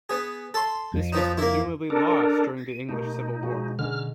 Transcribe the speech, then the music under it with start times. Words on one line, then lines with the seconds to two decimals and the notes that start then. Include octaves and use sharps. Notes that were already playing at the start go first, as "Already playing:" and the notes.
This was presumably lost during the English Civil War.
0.09 B3 G#4
0.54 A4 C6
0.93 F2
1.13 F3 B3 D#4
1.38 A#3 E4
1.90 D4 A4 A#4
2.89 B2 A3 A#3 D#4 G4
3.43 F3 G#3 F#4
3.79 D3 C#4 D#4 G#4 F6